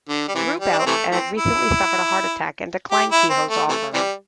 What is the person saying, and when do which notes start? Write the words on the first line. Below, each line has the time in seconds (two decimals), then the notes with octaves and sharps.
Ruppelt had recently suffered a heart attack, and declined Keyhoe's offer.
0.09 D3
0.28 G3
0.35 C3 E3
0.60 G3
0.72 D4
0.79 C4
0.86 C3 E3 A3
1.11 E3 A3 C4
1.37 E4
2.91 G4
3.11 E4
3.30 C4
3.49 A3
3.69 C3 E3 A3
3.94 C3 E3 G3